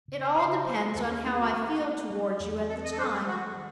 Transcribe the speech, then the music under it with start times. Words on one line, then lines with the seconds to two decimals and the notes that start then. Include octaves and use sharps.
It all depends on how I feel toward you at the time.
0.08 C#3
0.22 C5
0.37 C#3 C5
0.65 F#3 C5
0.94 D#2 A4
1.09 C#4
1.24 G#3 D#4
1.33 G#4
1.39 F#4
1.53 C#4
1.82 C#4
2.10 F#3
2.40 E2
2.69 C4 A4
2.84 D#5
2.92 A4
2.98 F#3 C5
3.13 G#4
3.27 D#3 F#4
3.56 D#3